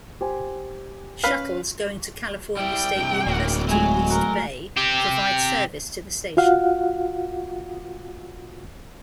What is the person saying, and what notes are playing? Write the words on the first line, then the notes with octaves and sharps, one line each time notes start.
Shuttles going to California State University, East Bay provide service to the station.
G4 C5 G#5
C#4 B4 F5 B6
G3 E4 G5
G2 C3
D1 F#3 A#3
A2 F#3 G#3 G#5
F#4 A#4
C4 G4
F4 F#4 F5 F#5